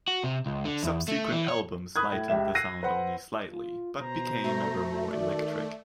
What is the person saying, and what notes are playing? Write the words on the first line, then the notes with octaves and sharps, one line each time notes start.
Subsequent albums lightened the sound only slightly but became ever more electric.
F#4
C3
C#2
D3
E2
A3
E3
C#5
B5 D#6 F#6 G#6
A2
C#2 G4 E5 E7
E6 F#6 A#6 C7 D#7
B4 C5 F#5 B5
F4
B2 C5 A#5
A3 F#4
D#3 D5